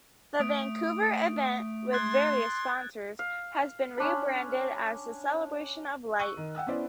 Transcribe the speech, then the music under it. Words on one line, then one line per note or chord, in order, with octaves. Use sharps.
The Vancouver event, with various sponsors, has been re-branded as the "Celebration of Light".
A3 D#6 D7
C6 F#6 G#6 A6
F5
C#4 D4 B5
C#6 E6 F#6 D#7
D#3
F#5 G5 E6 F#6
B3 C#4 E4 C5 D5